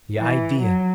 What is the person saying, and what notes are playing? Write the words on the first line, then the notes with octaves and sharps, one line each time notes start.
The idea!
E3
F#3